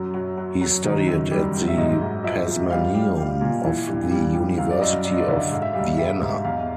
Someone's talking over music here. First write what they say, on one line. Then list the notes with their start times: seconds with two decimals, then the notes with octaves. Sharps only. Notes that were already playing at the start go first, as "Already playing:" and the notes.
He studied at the Pazmaneum of the University of Vienna.
Already playing: F#2 F#3
0.14 F#3
0.37 F#3
0.61 F#3
0.84 D#3
1.07 F#2
1.31 G3
1.54 F#2
1.68 E5
1.77 G#2 D#5
2.01 G#2
2.24 F3 E5
2.48 F3
2.70 G3 F5
2.94 G3
3.17 G3
3.41 A#2
3.64 E3
3.88 G2
4.11 G3
4.34 G3
4.58 F#2 F5
4.71 D5
4.81 F#2 D#5
5.04 F#3 D5
5.12 D#5
5.20 D5
5.28 D3 E5
5.51 G#2 F5
5.62 E5
5.73 G3 F5
5.98 G3 E5
6.22 G#2
6.45 E2 F5